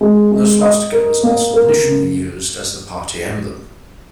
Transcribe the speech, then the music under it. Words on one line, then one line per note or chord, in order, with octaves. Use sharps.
The swastika was also initially used as the party emblem.
G#3
G#3
D#5
A#4
A#3
A#4
C#3